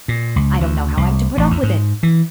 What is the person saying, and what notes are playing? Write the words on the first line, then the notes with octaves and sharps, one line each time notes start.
I don't know how I'm to put up with it.
A#2
C#2
D2
C2
A1
E2
G#2
E3